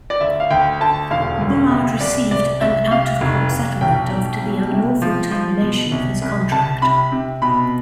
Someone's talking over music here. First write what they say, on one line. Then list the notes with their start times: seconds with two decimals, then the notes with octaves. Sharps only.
Bullard received an out of court settlement after the unlawful termination of his contract.
0.10 D5
0.21 D2 E5
0.40 F5
0.50 D2 G5
0.81 D2 A5
1.11 E1 F5
1.41 D2
1.71 C3
2.01 C2 D5
2.31 C2 D5
2.61 C2 E5
2.91 C3 F5
3.21 F1
3.51 F1
3.81 B1 G5
4.11 B1
4.41 B2
4.71 C3
5.02 F3
5.31 F3
5.62 B2
5.91 C2
6.22 C2
6.51 C2 A5
6.82 C3 B5
7.12 C3
7.42 B2 B5